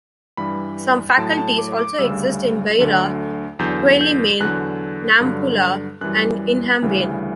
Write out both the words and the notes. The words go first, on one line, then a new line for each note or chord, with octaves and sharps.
Some faculties also exist in Beira, Quelimane, Nampula and Inhambane.
G2 E3 G3 B5
A2 F#3 A5
A5
D6
D6
D2 C#3 G3 E6
D2 D3 F#3
E2 D3 F#3 G6
G6
E2 D3 F#3 F#6
G2 D3 F#3
F#2 E3 G3 F#6
D2 C#3 E3 G3